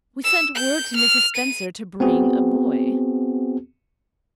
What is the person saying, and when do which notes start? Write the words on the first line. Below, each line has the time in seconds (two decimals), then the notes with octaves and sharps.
"We sent word to Mrs. Spencer to bring a boy."
0.24 E6
0.55 G6
0.96 F6
1.35 D#7
2.00 B3 C4 F#4 G#4